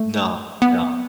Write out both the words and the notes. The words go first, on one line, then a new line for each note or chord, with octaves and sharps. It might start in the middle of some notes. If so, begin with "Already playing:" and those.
No, no,
Already playing: A3
B3